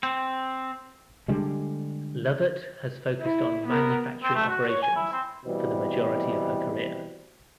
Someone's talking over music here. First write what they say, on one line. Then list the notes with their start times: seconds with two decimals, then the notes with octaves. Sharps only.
Lovett has focused on manufacturing operations for the majority of her career.
0.03 C4
1.28 D3 G3 G#3
3.21 E4
3.67 B3 A#4
4.23 C4
4.35 A3
4.49 F#4
4.69 C#5
4.82 G#5
4.96 E4
5.12 C4
5.45 B2 E3 G3 C4